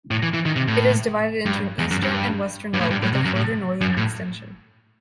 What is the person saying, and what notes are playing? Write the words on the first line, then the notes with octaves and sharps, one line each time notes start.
It is divided into an eastern and western lobe, with a further northern extension.
A2
E3
E3
D#3
C3
A2
G2
E2
F#2
G2
G2
A2
G2
A2
C3
F#2
A2
F#2
A2